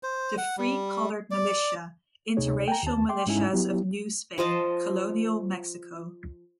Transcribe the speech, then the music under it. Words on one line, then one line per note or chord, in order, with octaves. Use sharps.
The Free-Colored Militia, interracial militias of New Spain, Colonial Mexico.
C5
F#5
G3
D5
D2 C3 D#4 G#4 C#5
G5 G#5 A#5
D#2 A5
G5 C6 D6
G#2 G#3 C#4 D#4 E4 G#5
F#3 B3 E4 G4
F3 C5 D#5 A5